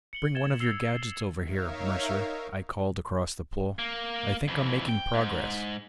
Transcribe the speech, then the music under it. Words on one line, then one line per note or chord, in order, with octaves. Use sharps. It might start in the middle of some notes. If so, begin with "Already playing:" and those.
"Bring one of your gadgets over here, Mercer," I called across the pool. "I think I'm making progress."
C#7 F#7 G7
G#6 A6 E7 G7
E6 C7 F7 G7
D#4 A#4 C#5 E5 F5
A#3
F2 E3
G5
G#2